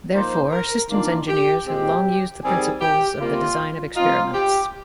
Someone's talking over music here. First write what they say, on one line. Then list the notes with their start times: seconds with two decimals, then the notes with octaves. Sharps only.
Therefore, systems engineers have long used the principles of the design of experiments.
0.13 F3 A#3 D#4 C5
0.51 A#4
0.89 D#3 A#3 D4 F4
1.28 G4
1.66 A#2 G#3 C4 G4
2.42 D#3 G3 C4 G#4
2.81 G4
3.19 C3 G3 A#3 F4
3.95 F3 C4 D#4 F4
4.33 G4